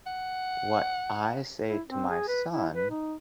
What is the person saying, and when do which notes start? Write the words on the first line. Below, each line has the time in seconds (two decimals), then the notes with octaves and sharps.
What I say to my son
0.06 F#5
1.69 E4
1.89 C4
2.10 G#4
2.28 B4
2.52 E4
2.74 B4
2.90 D#4